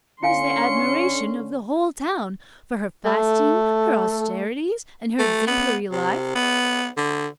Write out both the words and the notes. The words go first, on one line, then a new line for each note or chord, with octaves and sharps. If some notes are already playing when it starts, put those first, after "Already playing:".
She is the admiration of the whole town, for her fasting, her austerities, and her exemplary life.
D3 C#4 E4 F5 G#5 C6 C#7
A3 A4
A3
B3
C3
B3
D3